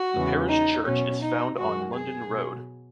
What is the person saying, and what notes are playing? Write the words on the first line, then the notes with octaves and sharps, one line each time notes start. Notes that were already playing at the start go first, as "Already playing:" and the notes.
The parish church is found on London Road.
Already playing: F#4
E2 C#3 E3 G#3
D#4
B2 F#3 C#4
D#4
F#2 D#3 G#3 F#4
G#4
B2
F#3